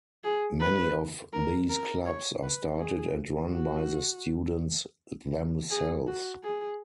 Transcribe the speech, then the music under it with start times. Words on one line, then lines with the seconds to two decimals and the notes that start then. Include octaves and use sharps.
Many of these clubs are started and run by the students themselves.
0.24 G#4
0.60 B4
1.33 A#4
1.69 A#4
2.06 C#5
2.42 B4
2.79 G#4
3.52 F#4
5.70 G#4
6.07 F#4
6.43 G#4